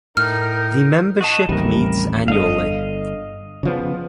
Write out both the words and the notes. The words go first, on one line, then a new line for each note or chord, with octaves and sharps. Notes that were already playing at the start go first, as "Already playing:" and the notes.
The membership meets annually.
A2 D#4 A#4 F6
F#4 D#5 A5
A1 D#2 C3 G3 A#4
G1 D3 D#5 F5
C#3 F3 B3